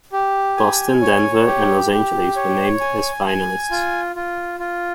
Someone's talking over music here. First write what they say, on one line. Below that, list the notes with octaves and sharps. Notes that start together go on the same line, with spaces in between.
Boston, Denver and Los Angeles were named as finalists.
G4
G#5
C#5
G4
G4
C#5
G#5
G#5
F4
F4
F4